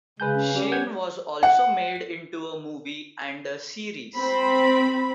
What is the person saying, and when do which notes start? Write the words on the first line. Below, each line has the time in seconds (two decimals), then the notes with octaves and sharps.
Shane was also made into a movie and a series.
0.20 C#3 G#3 B4 G#5 G6
0.34 C#4
0.55 G3 C#4
0.72 F#5 G6 G#6
1.43 F#5
4.17 C4 B5